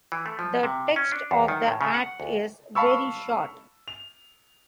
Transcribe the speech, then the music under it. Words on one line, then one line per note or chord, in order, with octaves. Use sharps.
The text of the Act is very short.
E3
A3
F3
C3
C#4
D4
E2
D#3
A2
C#3
F#5
D2
F5 A5 B5 C#6 E6
F7